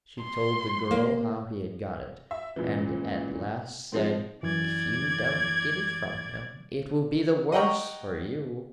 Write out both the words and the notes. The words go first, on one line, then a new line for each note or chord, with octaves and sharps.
She told the girl how he had got it, and at last said: 'If you don't get it from him, it will be the worse for you.'
C6
A#3
E5
C#2 A#2 E3
G#2 F3 G#3 C4
F#2 E3 D5 G#6
D#5 F#5 G5 A#5 C#6